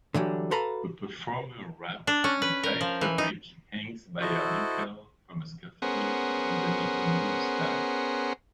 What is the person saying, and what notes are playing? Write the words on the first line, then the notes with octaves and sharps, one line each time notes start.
A performer wrapped in tight fabric hangs by her ankle from a scaffolding underneath a blue sky.
D3 E3 F#3 G3
F#4 A4 B4 F5 A#5 B5
D4
C#4
B4
A#4
F3
E3
D#4
E4 F#4 A4 C5 D#5
B3 C#4 G#4 A#4 C5 F#5